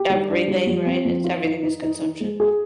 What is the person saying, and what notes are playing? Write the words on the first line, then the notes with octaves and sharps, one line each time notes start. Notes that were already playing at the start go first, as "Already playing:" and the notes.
everything, right? It's everything is consumption.
Already playing: G4
G3
D4
G3
F3
C4
F3
F4
D#4
D#4
D#4
D#4
G#3
G#4